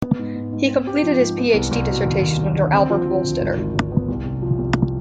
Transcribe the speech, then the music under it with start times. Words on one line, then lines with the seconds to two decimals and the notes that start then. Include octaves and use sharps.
He completed his PhD dissertation under Albert Wohlstetter.
0.02 B3
0.19 G#2
0.36 G#2
0.53 G#2
0.70 C4
0.87 G4
1.03 F3
1.20 G#2
1.38 B3
1.54 C2
1.71 C2
1.89 B2
2.06 D#2
2.22 D#2
2.39 D#2
2.56 D3
2.72 C4
2.90 F3
3.06 F3
3.24 D2
3.40 G#1
3.58 G#1
3.75 G#1
3.92 B3
4.08 C2
4.25 C3
4.42 F3
4.59 C2